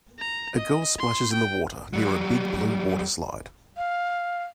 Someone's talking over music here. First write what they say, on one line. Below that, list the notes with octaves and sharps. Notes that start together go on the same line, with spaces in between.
A girl splashes in the water near a big blue water slide.
A#5
D#5
C6
G5
F#3 G3
F5